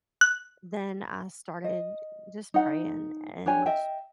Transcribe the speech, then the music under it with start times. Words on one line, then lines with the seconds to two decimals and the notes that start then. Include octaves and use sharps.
then I started just praying and
0.21 F#6
1.64 D#5
2.54 D#4 F#5
3.46 D4 G4 C#5 G#5
3.66 D#5 E5 G5